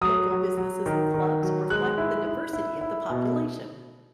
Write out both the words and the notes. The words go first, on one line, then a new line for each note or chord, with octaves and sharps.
Local businesses and clubs reflect the diversity of the population.
F#3 D#6
F#3
F#3
D#3
D#3
F#3
G#3 F#6
E4
E4
E4
E4
B2